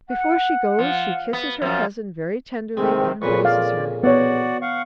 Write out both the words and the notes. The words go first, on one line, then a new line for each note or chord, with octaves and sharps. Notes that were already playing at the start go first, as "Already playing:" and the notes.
Before she goes, she kisses her cousin very tenderly and embraces her.
F#5
F3
B3
F#2 F3
C3 D#3 G#3 C4
F2 A#2 C#3 B4 C#6
D5 F5
B3 F#4 C#5 D5 F#5
F5 F#5 C#6